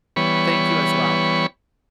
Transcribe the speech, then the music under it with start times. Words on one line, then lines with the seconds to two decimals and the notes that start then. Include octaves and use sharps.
Thank you as well.
0.16 E3 G3 B3 C#5 B5 C#6